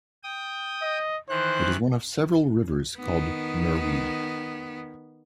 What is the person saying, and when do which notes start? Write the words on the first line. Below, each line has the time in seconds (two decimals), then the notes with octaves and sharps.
It is one of several rivers called Merwede.
0.23 G5 D#6
0.82 D#5
1.30 D#3 E3 C5 F#6
2.99 D#3 B3